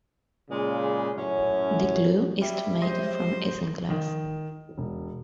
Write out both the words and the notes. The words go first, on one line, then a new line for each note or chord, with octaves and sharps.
The glue is made from isinglass.
A#2 C#3 G#3
F#2 A2 C#4
G3 E5
F#3 G#3 C5 D#5
D#3
E1